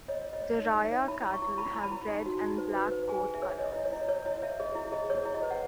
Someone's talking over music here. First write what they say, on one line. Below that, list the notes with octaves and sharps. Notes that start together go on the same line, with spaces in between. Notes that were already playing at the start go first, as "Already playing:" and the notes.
The Raya cattle have red and black coat colours.
C#5 D#5
C#5
D#5
C#5
D#4
D#4
E5
C#5
E4 B5
E4
C#6
E4
E4 B5
E4
B5
E4
D#4
F#4
D#4
B4
B4
B4
G#4 G#5
G#4
E5
C#5
C#5 D#5
E4 D#5
C#5
E4 D#5
C#5
E4 D#5
C#5 E5
G#4 D#5
E4
G#4 D#5
G#4 C#5
E4
D#5
B4
F#5